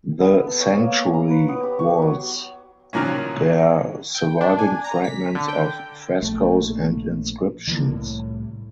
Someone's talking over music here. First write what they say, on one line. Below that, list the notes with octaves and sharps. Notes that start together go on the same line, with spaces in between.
The sanctuary walls bear surviving fragments of frescoes and inscriptions.
B3
A4
C#5
A#3
A#5
B4
B3
G4
C#6
F#3
A#2 D#3 F3 F#3 A#3 C#4
G5
D4
G#5
A#5
B6
D3
G5
A#1 A3
D3 E3 F3 A#3
C2 A2